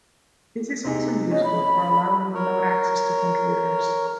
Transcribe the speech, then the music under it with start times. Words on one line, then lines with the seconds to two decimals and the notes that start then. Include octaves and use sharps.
This is also useful for allowing remote access to computers.
0.85 C3 D#4 G#4
1.31 C#4 D#5
1.44 B5
2.35 A#4 C#5